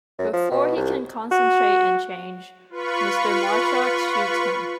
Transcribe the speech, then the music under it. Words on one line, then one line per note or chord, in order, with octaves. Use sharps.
Before he can concentrate and change, Mr. Marshak shoots him.
F#2
F3
B2
C2
F#4
F4 B4 B5 C#6